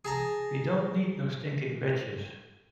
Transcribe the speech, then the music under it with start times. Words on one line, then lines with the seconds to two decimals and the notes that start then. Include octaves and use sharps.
We don't need no stinkin' badges!
0.05 G#4 A5 A#5